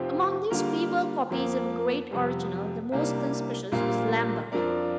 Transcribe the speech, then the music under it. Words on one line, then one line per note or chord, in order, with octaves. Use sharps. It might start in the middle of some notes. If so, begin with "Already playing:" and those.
Among these feeble copies of a great original the most conspicuous was Lambert.
Already playing: F1 F2 F3 C4 G4
D3 G3 A#3 F4 A#4
F2 F3 A#3
F2 C3 G3
C2 C3 G3 A#3 D4
A#1 A#2 G3 A#3 F4
F2 F3 D4 A#4 D5